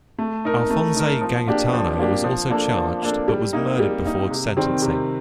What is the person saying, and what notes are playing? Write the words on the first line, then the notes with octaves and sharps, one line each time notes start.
Alphonse Gangitano was also charged but was murdered before sentencing.
A3
D#4 A#4
A3
D#4 A#4
F3
A#3 D4 G4
F3
A#3 D4 G4
F3
A#3 D4 A4
F3
A#3 D4 A4
G3
A#3 D#4
G3
A#3 D#4
C3
D#3 G3 C4
C3